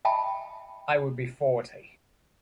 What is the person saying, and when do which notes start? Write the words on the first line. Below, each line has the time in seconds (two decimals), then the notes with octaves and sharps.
I will be forty.
0.05 D#5 E5 G5 A5 B5